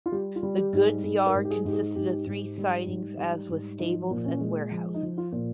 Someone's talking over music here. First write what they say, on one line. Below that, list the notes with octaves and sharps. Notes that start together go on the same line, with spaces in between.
The goods yard consisted of three sidings as with stables and warehouses.
F4
G3 G4
F4
G3
G4
G#2
G#4
G#2 G#4
A#4
G#2
G4
G#4
G#2 G4
G#4
G#2 G4
G#2
G3
G#2
G3
G#2
F3 D#4
A#2
C#4
G#3
F3
D#4
F3
F4
A#2